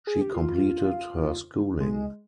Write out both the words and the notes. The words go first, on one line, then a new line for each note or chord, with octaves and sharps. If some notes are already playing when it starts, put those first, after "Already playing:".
She completed her schooling.
G#4
G4
F4
G#3